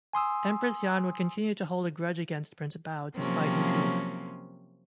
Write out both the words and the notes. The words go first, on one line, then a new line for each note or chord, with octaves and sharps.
Empress Yan would continue to hold a grudge against Prince Bao, despite his youth.
G#5 C6 D#6 E6
C3 F3 F#3 A#3 C4 C#4